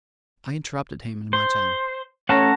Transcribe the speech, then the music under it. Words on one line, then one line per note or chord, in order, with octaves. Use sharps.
I interrupted him in my turn.
C5
A3 C#4 C#5 F#5 A5 A#5